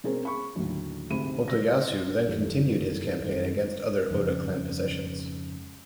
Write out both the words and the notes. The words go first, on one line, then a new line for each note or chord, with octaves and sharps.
Motoyasu then continued his campaign against other Oda clan possessions.
B2 G#3 C4 C#4 G#4 A#4
B5 C#6
D#2 A2 D3 F#3
D2 G#2 C3 B5 D#7
G3 C5 E6 A#6
C5 D#5
F#2 D#3 E3 G3 A3
F2 G#2 C#3